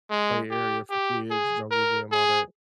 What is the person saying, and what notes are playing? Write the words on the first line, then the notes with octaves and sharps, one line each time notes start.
play area for kids, jungle gym, all that.
G#3
G4
G4
G#4
A#4
G#4